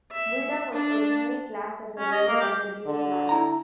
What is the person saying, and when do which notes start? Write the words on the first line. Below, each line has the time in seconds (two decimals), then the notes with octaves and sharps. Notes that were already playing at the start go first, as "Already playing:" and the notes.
"Bulldog" was originally classed as a variant of the Duke Class.
0.12 E5
0.73 D4
1.98 C#4
2.12 D#5
2.28 A#3
2.41 G4
2.86 D3
3.29 E4 A#5